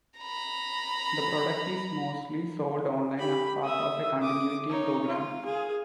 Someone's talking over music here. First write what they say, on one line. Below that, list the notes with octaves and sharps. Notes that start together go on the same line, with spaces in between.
The product is mostly sold online as part of a continuity program.
A#5 B5
G4 B5
E5 D#6
D6 D#6
D#4 C#5
F4
G#4 F5